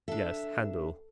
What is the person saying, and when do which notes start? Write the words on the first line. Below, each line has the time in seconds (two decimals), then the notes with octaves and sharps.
Yes. Handel.
0.08 D4 A4 E5